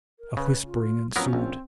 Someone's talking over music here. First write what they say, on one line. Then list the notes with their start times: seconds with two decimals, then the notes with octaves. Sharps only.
A whispering ensued.
0.19 A#4
0.37 C#3 B4
0.65 F4
1.16 F3 F#3 B3 C#4 A#4 F5
1.33 A#1 C4